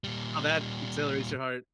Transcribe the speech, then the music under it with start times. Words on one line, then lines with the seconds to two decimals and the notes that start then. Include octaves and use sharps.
how that accelerates your heart.
0.04 A#2 G3